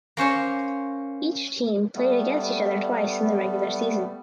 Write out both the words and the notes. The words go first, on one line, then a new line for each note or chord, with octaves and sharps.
Each team played against each other twice in the regular season.
A#3 C#4 C5 C#5
G3 A3 B3